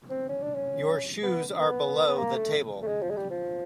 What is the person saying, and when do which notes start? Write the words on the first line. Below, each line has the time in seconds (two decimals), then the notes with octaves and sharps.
Your shoes are below the table.
0.10 C4
0.29 C#4
0.42 D4
0.54 C#4
1.23 B3
1.60 B3
2.08 B3
2.17 A#3
2.35 A3
2.82 A3
2.87 G#3
3.02 F3
3.10 G#3
3.16 G3
3.30 F3